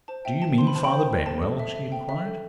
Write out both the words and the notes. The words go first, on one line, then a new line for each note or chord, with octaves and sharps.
"Do you mean Father Benwell?" she inquired.
C5 A5
E5 G5
E5 A5
C5 C6
B5
C5 A5
G5 B5
C5
C5
A4 A5
A4
E5
E5
G5
E5
A4